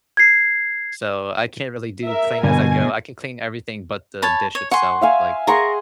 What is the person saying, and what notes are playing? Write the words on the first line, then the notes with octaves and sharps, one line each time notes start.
so, I can't really do clean as I go. I can clean everything but the dish itself, like,
G#6 C7
A#4 E5
G2 B2 D3 G#5
C#5 A5 B5
C#5
F#5 G#5 C6 C#6
E5 F5 G#5
G#4 A#4 F#5 A#5 C6 C#6